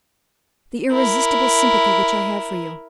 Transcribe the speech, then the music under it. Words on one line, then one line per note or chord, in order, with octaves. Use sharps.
"The irresistible sympathy which I have for you."
E4 A#4